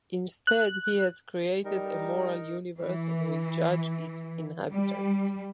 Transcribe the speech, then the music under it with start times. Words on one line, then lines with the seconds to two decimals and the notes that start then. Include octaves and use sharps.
Instead he has created a moral universe and will judge its inhabitants.
0.47 F#6
1.65 G3 D#4 A#4
2.79 E3
4.70 G3